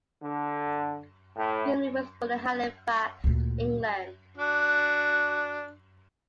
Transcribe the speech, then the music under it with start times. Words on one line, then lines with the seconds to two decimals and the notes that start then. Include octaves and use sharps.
Grimley was born in Halifax, England.
0.22 D3
1.36 A2
3.24 D2 A#2
4.37 D4 F#4